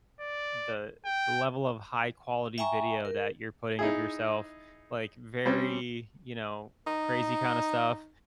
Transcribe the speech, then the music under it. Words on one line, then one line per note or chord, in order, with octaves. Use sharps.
the level of high quality video that you're putting of yourself, like, very, you know, crazy kinda stuff,
D5
G5
E5 G5 G#5 A#5 C#6
A#4
D#4 E4 G#4
G3 C4 C#4
D#4